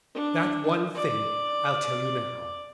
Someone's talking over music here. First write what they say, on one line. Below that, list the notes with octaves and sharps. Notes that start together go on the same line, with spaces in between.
That one thing I'll tell you now....
D4
D5